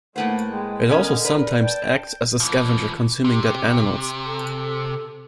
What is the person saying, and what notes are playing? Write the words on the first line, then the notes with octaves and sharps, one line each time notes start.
It also sometimes acts as a scavenger consuming dead animals.
A2 A3 A#3 B4 C5 F#5
G#3 G5
D3 B3 C#4 A#4 D#5
A#4 B4 D5
G5 A5
E3 F3
C3 G4
A4